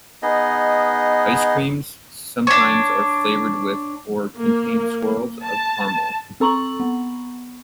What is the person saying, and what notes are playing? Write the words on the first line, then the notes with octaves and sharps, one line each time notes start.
Ice creams sometimes are flavored with or contain swirls of caramel.
B3 D#4 G#4 D#5
D4 C#5
A#3
A5
C4 A4 A#5 C#6 F#7
B3